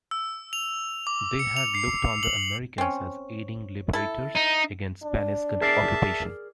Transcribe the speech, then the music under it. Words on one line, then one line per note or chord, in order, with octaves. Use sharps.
They had looked on the Americans as aiding liberators against Spanish occupation.
E6
F7
D6
C#7
F7
C7
F#7
C4 C#4
E4 A4
D#4
D4
G#4 A#4 D5 E5 A5